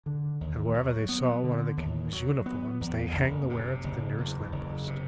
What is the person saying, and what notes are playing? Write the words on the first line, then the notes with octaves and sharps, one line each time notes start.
And wherever they saw one of the king's uniforms they hanged the wearer to the nearest lamp post.
D3
D#2
F#3
B3
D3
D#2
F#3
B3
E2
F#1
C3
F#1
E2
F#1
C3